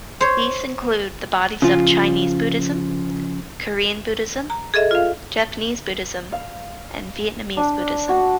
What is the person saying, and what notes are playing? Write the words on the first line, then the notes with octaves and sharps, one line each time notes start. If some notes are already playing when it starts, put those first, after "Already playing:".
These include the bodies of Chinese Buddhism, Korean Buddhism, Japanese Buddhism, and Vietnamese Buddhism.
C5 C#5
C#3 F3 F4
A#5
G#4 A4 D#5 E5
F4 F5
F5
D4
F#4